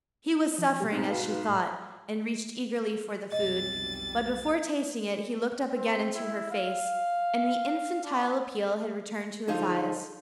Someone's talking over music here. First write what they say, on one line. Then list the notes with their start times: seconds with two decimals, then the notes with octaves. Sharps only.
He was suffering, as she thought, and reached eagerly for the food, but before tasting it he looked up again into her face, and the infantile appeal had returned to his eyes.
0.58 F3
0.80 B2 G3 G4
0.93 B1 G#2 C4
1.07 F#4 B4 F5
1.49 A2
3.32 F1 B1 G3 D#5 A6
5.76 C4
6.14 E4
6.51 F5
8.04 D4
9.48 D3 F3 D#4 F4 G#4 A4